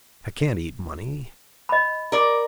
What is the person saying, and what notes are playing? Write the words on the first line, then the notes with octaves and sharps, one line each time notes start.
I can't eat money!
D#5 B5
A#4 D5